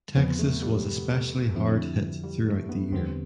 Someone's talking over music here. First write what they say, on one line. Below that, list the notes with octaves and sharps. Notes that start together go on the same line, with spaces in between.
Texas was especially hard hit throughout the year.
E2 C3 F3 B3 C4
A3
G3
F2 D3 F3 C4 E4
G3
A3
B3
E2 D3 G3 B3 C4